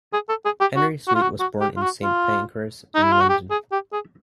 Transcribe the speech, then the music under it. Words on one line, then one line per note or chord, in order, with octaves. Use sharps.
Henry Sweet was born in Saint Pancras in London.
G#4
A4
G#4
G4
F#4
F#4
F4
F#4
F#4
G4
F4
F#4
F4
D#4
E4
F4
F#4
G4
G#4
G4
G#4